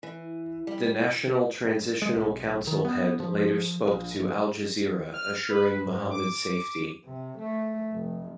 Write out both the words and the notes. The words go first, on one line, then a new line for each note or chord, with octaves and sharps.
The National Transitional Council head later spoke to Al Jazeera assuring Muhammad's safety.
E3
G3
G#3
B1
D#3
B3
F3
A#1
G1
F6
B4
G#2
D6
C3
A3
F1